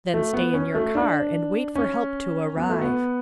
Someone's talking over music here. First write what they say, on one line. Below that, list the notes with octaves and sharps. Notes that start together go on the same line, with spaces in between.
Then stay in your car and wait for help to arrive.
A3
B3
C#4
A3
D4
C#4
B3
A3
B3